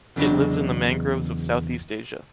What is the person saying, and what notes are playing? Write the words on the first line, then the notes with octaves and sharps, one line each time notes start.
It lives in the mangroves of Southeast Asia.
E2 C#3 F#3 G#3 D4